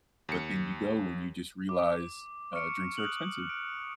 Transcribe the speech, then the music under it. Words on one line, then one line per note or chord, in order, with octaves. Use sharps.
but then you go and you just realize, uh, drinks are expensive,
D#2 C#7
D6
C#6 F6 C#7 D7
D#6 F6 F#6 F7 F#7
D7